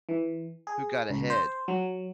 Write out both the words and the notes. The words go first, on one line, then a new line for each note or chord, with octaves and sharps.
who got ahead,
E3
G#4
C#2
C5
F#3